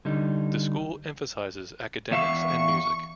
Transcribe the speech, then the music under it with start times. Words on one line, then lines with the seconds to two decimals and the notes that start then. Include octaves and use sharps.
The school emphasizes academics and music.
0.05 D3 G3 D#4
2.11 E2 E5 F5 C#6